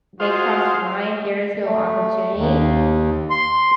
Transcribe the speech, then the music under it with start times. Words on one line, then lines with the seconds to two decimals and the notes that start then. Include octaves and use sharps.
they crossed the line, there is no opportunity,
0.20 F4 F#4 G#4 C5 F5
1.64 A3
2.35 D#2
3.30 C6